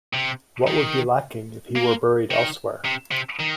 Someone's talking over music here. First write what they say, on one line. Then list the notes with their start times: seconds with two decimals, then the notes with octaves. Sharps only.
What would be lacking if he were buried elsewhere?
0.13 C3
0.67 D#3
1.76 A#3
2.31 D#3
2.85 C3
3.12 C3
3.40 D#3